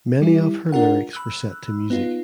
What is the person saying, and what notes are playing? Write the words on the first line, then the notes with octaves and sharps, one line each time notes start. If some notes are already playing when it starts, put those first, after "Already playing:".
Many of her lyrics were set to music.
G3 E4
D4 F4 A#4 F#5
B5 E6 F#6
B3 D#4 F4